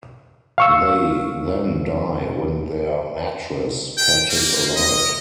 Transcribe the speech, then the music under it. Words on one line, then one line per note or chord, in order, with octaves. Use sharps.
They then die when their mattress catches alight.
F5 C#6 E6
G5
A#3
D#5